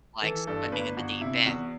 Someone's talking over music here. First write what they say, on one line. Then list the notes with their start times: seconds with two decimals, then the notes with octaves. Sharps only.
like swimming in the deep end.
0.22 E3 A4
0.47 G2 A4
0.72 G1 B4
0.97 G1 F#4
1.21 C3 E4
1.46 E2 F#4